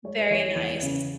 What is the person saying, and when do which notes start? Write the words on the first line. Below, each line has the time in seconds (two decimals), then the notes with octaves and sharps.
Very nice.
0.04 G#3 C#5
0.18 B4
0.30 E2 C#5
0.56 E2
0.83 C#3